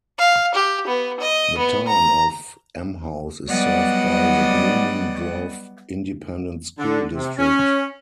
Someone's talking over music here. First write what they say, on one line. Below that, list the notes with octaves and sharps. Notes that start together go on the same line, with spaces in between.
The Town of Emhouse is served by the Blooming Grove Independent School District.
F5
G4
B3
D#5
B3
A#5
F#3 G3 B3 D5 D#5 F#5
D3
C3
C#4